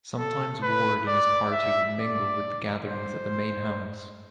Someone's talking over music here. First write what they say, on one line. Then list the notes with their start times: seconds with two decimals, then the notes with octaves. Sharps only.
Sometimes Ward and his party would mingle with the gatherings at the main house.
0.18 A4
0.63 B4
1.08 D5
1.52 E5
1.97 D5
2.86 C5